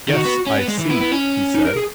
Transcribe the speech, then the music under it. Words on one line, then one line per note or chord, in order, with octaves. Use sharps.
"Yes, I see," he said.
D#3
F#4
B3
C#4
B3
G#3
E3
B3 E4
B3
C#4
D#4
A#4
G#4